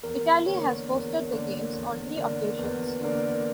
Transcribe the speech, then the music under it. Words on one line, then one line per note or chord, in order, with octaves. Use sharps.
Italy has hosted the Games on three occasions.
E2 A#4
D3 A#3 D4 A#4 C#5
E2
D3 A#3 D4 A#4
E2
D3 A#3 D4 A#4
E2 B4
D3 A#3 D4 A#4